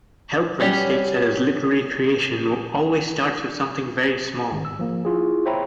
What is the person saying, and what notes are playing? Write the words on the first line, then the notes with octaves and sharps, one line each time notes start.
Helprin states that his literary creation "always starts with something very small".
F#3 G3 C#4 G4
G#1
E6
F3 A#3
E4 F4 G#4
C5 C#5 E5 G5 A#5 B5